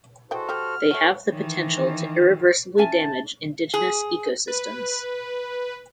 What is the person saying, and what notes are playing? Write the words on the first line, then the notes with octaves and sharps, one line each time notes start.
They have the potential to irreversibly damage indigenous ecosystems.
E3 G#3 F#4 A4 C5 G5
G3 A3 G4 F6
F#4 A4 C#5 E5
D#3 E3
C#4 E5 G#5 A5
G#4
B4